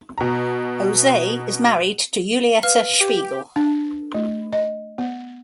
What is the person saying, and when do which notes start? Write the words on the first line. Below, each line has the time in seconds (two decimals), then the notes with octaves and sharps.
Jose is married to Julieta Spiegel.
0.18 B2 A#5
2.63 B4 F5 F6
3.00 G4
3.56 D4
4.14 A3
4.53 D#5
4.98 B3